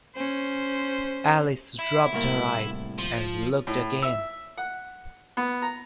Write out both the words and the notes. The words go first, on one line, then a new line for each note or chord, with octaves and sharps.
Alice rubbed her eyes, and looked again.
C#4 C5
E4
C2 A2 A#3
F3
A2
E5
F#5
B3
A#5